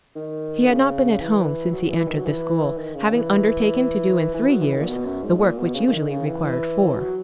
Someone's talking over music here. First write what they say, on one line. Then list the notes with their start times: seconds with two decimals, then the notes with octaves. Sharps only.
He had not been at home since he entered the school, having undertaken to do in three years the work which usually required four.
0.16 D#3
0.69 C#3
1.21 E3
1.73 F#3
1.90 E3
2.08 D#3
2.17 F#3
2.26 E3
2.77 D#3
2.95 C#3
3.12 E3
4.35 E3
4.48 F#3
4.62 E3
4.74 D#3
4.81 A#2
4.88 B2
5.05 F#2
5.23 G#2
5.39 A#2
5.58 B2
5.75 C#3
5.88 C#3
5.91 D#3
6.09 C#3
6.27 E3
6.44 E3
6.97 F#3